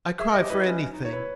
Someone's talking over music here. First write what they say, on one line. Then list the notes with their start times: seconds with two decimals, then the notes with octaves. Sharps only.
I cry for anything.
0.19 G#4 E5
0.29 A#4
0.34 D#5
0.40 G4
0.50 E4 B4
0.66 C#4
0.82 C#4
0.92 D#4
1.03 D#4 C#5
1.13 E4 B4